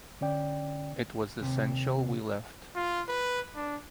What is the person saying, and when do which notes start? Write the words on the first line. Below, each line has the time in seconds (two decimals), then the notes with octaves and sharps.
It was essential we left.
0.21 D3 C#4 D5 G5
1.40 D#2 C3
2.75 F4
3.08 B4
3.55 D4